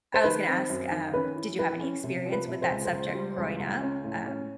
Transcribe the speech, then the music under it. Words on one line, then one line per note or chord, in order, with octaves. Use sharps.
I was gonna ask, um, did you have any experience with that subject growing up, um,
C5
D#3 B4
C4
F#2
D#3
C#4 B4
E3
E3 B4
C#4
C3
F3
B4
C3
C5
C#2
C5
C#2
G3
C#2
C#2
C#4
A2
C#4